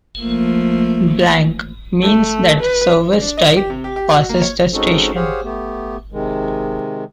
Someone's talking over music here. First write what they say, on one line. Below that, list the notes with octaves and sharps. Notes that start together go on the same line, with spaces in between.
Blank means that the service type passes the station.
F3 A3 A#3
A3
B4
D4
D#5
G4
C3
G4
G4
F#4
A#3
C#5
G#3 C4 C#4 D#4 F#4 A4
G4 G#4 C5 C#5 F5 F#5
A3 B3 G4
C3 D#3 G#3